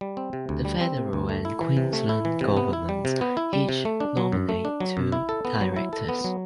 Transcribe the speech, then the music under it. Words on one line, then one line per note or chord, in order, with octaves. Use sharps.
The Federal and Queensland governments each nominate two directors.
G3
C4
C3
D2
G3
C4
C3
D2
A3
E4
E3
C3
A3
E4
E3
C3
B3
E4
G3
C3
B3
E4
G3
C3
A3
D4
F#3
F#2
A3
D4
F#3
F#2
E4
A4
B3
F#3
E4
A4
B3
F#3